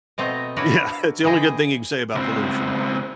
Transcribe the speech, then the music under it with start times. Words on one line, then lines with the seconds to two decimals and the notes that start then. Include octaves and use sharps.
Yeah, it's the only good thing you can say about pollution.
0.18 B2 A3 C4 D#5 A#5
0.56 D4 E4 F#4 A#4 B4 C#5
1.24 D3 E3 G#4 D#5 G5
2.15 C#2 C4